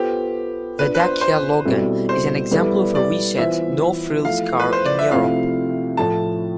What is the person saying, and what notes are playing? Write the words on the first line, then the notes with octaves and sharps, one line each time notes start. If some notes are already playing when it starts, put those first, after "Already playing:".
The Dacia Logan is an example of a recent no-frills car in Europe.
Already playing: B3 F4 G4 A4 C5
B3 D4 F4 B4
B4
C5
C5
B2 G3 C4 E4 A4
C5
G3 B3 E4 A4 D5
D5
E3 B3 F4 C5 E5
F3 A3 E4 F5
B4
C5
D5
E5
C3 F3 A3 C4 E4 F5
A2 F3 A3 E4 A5